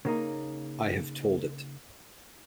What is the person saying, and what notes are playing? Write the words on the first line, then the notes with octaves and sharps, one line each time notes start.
I have told it.
C#3 A#3 D#4